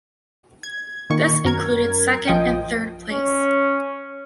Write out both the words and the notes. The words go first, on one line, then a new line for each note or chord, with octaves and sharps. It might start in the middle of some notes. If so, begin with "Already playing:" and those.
This included second and third place.
G#6
A#2 D#3 C#6
F#2 A#4 G#6
A#1 F3 D#5 G5
C#4